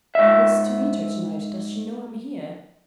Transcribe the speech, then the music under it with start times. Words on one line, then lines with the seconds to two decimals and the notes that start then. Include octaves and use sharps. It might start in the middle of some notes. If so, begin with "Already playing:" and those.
"I was to meet her to-night; does she know I'm here?"
0.15 G#2 E5